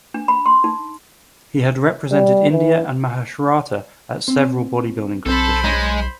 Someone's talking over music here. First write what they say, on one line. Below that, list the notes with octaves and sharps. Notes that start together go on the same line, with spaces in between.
He had represented India and Maharashtra at several bodybuilding competitions.
D4
B5
C6
D#4
G3
E3
C4
B1 C4 A4 C5 B5
G#3 C#5 D#5 A#5